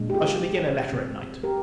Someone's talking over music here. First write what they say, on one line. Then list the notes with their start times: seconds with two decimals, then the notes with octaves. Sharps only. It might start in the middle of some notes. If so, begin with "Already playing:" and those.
I shall begin a letter at night.
Already playing: A#2 G#3 D4
0.10 G4
0.14 F4 G#4
0.92 C3 F3 C4
1.43 G4 A#4